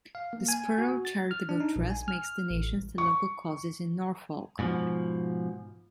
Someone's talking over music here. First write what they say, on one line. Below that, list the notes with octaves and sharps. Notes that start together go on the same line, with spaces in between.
The Spurrell Charitable Trust makes donations to local causes in Norfolk.
F5
A#3
G#5
F#4
A6
F6
D4
D#4
A#1
G#5
F6
A1
C#6
G#2 B2 E3 F3